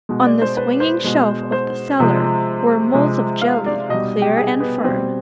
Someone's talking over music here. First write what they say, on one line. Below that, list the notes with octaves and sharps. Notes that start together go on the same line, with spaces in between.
On the swinging shelf of the cellar were moulds of jelly clear and firm.
B2 G#3
D5
C5
B4
C5
B2 G#3
C5
C3 F3 G#3
C3 F3 G#3
F5
D5
B2 G3 D#5
G4
G#4
B3
B2 G3 C4